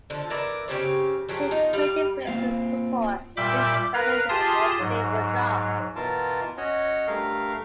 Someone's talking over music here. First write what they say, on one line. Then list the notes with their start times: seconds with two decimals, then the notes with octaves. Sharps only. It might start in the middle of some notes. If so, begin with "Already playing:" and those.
He quit In Flames to support his family with a more stable job.
0.10 D3 F3
0.30 E3 A#4 D5 E5
0.68 C#3 C4 G4 C#5
1.29 F3 F#3 G4 G#4
1.51 D#4 F4
1.73 G3 F5
2.27 A#3 C4 F4 F5
3.37 A#2 G3 E5 B5 D6 G6
3.94 A#4 B4 F5 A#5
4.29 F4 G4 G#4 A5 C6 D#6
4.79 G#2 F#3
5.96 B2 E3 F4 A#4 A5
6.57 C#4 F#4 C#5 D#5
7.08 G2 A3 A#4 F5